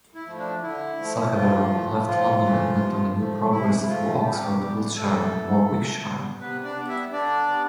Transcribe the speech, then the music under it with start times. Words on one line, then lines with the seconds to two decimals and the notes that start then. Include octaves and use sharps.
Sacheverell left London and went on a new Progress through Oxford, Wiltshire and Warwickshire.
0.15 E4
0.26 F3 A3
0.39 D4
0.62 D3 E4
0.99 F3 A3
1.34 A2 F3 F4
1.71 E3 A3
2.06 A2 F3 F4
2.43 E3 A3
2.78 C3
3.15 F3 A3
3.51 C3 E4
3.87 F3 A3 F4
4.23 C3 G3 G4
4.59 E3 G3 B3
4.95 C3 A3 A4
5.31 E3 G3 B3
5.68 C3
6.04 G3 B3
6.40 C3 B3 B4
6.64 D4 D5
6.76 G3 B3
6.88 E4 E5
7.12 D3 D4 D5
7.48 G3 B3